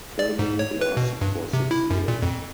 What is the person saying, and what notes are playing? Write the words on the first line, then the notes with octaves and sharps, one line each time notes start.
Filming lasted for six years.
D5
G#2
C#5
B4
B2
G2
C3
E4
F#2
A#2
F2